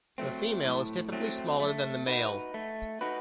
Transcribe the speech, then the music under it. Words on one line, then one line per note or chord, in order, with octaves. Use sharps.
The female is typically smaller than the male.
F#3 A3 C4
A2
F#3 A3 C4
A3
D#4 F#4 B4
A3
D#4 F#4 B4